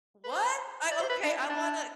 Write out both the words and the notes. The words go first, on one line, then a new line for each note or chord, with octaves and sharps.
What? I okay, I wanna
B4
C5
D5
C5
B4
D4
E4
D4